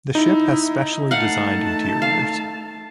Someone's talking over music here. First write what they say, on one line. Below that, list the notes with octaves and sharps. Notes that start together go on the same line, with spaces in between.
The ship has specially designed interiors.
D#4 E4
A3 F5 F#5 A5
F5